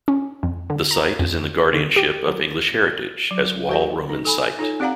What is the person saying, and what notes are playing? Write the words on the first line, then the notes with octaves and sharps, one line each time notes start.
The site is in the guardianship of English Heritage as Wall Roman Site.
C#4
F2
D3
A#5
F2
D3
G4
F#3
F#3
F#4 A4 B4 D5 D#5
D#4
A4 G#5 B5
D#4 F4 A4 C#5 G#5
C4 G4 D5 F5 F#5 A#5